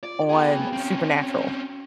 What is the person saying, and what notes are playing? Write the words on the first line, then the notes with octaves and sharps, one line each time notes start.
on Supernatural.
F4 D5
B3 F#4 G#4 F5 G5
C4 C#4